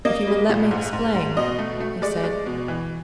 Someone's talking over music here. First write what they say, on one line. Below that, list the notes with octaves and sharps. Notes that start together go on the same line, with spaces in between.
"If you will let me explain," he said.
A#3 D#5
G3
A#2
G#2
G#2
G#2
B2 D#5
A3
A3
G#3 D5
G#3
B2
E3